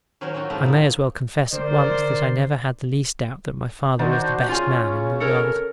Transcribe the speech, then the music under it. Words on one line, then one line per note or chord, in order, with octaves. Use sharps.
I may as well confess at once that I never had the least doubt that my father was the best man in the world.
D#3 F#3 C#4 A#4 C5 C#5
F#3 C4 C#4 F4 F#4
A2 D#3 F3 G#3 A3 C4
A#3 D#4
D3 A#4 C5 D5
D#3 D4 F#4 C5
C#3 C#4 F4 G#5
A4 A#4 C#5